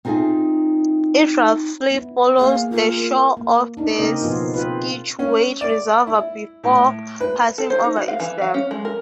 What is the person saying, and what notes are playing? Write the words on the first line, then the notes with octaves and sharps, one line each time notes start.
It roughly follows the shore of the Scituate Reservoir before passing over its dam.
C4 D#4 F4 G#4 E5 G#5
B3 E4
A#3 G#4 F5
F4 A#4
A#3
D4 D#4
C#3 A#3 C4 D#4 A#4 D#5
B2 F3 B3 F4 G#4
C4 F4 B4
C#4
D5
E4
A2
B4
A4
C5
D#4
F#4
F5
E3
F5
C#4
G#3
A#4